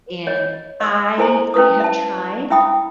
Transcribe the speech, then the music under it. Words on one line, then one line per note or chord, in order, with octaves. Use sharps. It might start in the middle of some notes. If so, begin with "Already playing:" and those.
And I I have tried,
C#5 D#5
D#5 E6
E4 A4 C5 G#5 A#5 C6
C#4 E4 B4 D#6
E5 A5
E4 E5 G5 B5 D#6